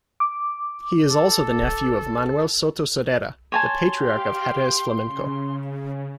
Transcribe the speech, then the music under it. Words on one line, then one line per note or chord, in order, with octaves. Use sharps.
He is also the nephew of Manuel Soto Sordera, the patriarch of Jerez flamenco.
D6
A4
C#5 G#5 A5 C6
G4 F5 G5
C#3